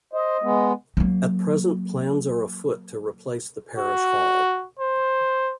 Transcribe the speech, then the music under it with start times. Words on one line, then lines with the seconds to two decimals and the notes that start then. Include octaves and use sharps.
At present plans are afoot to replace the parish hall.
0.13 C5 D#5
0.43 G#3 B3
0.97 F#3 A#3
3.79 F#4
4.80 C5